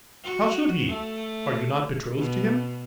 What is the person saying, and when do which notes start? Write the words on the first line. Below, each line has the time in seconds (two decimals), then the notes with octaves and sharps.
How should he? Are you not betrothed to him?
0.24 F#4
0.87 A3
2.18 B2